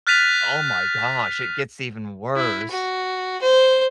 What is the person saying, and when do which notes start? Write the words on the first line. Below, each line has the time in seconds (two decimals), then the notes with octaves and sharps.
oh, my gosh, it gets even worse.
0.07 F6 F#6 A6 B6 D#7 F7
2.36 E4
2.71 F#4
3.42 C5